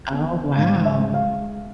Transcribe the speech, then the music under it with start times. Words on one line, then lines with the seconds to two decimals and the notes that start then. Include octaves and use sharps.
Oh, wow.
0.13 B3
0.56 G#2 F5
0.85 E5
0.99 G#3
1.14 F5